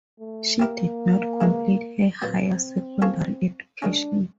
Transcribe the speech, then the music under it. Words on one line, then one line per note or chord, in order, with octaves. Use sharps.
She did not complete her higher secondary education.
A3
A#3 C4 E4 G4 A#4
C#3 E3 G#3
A#2 F#3 B3 C4
A#3 C#4 F4 A4 C#5
D#3 G#3 C#4 D4